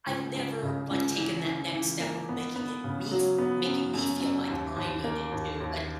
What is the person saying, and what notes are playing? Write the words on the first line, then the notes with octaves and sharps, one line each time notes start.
I've never, like, taken that next step of making it me f making me feel like I needed to at
C#2
C#2
C#3
C#2
E3
E3
E3
A#3
B3
B3
C#3
F#3
B3
F#2
F#2
F#2
D#2
D#2
A#3
D#2
D#2